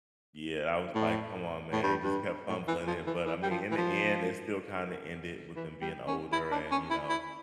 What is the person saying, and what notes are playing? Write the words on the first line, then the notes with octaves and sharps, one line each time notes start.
Yeah, I was, like, "Come on, man," he just kept fumbling it, but I mean, in the end, it still kinda ended with them being older and, you know
A2
A2
G2
G2
A2
E3
F3
E3
E3
G3
F3
E3
F3
E3
G3
C#4
E4
D4
C#4
E4
E4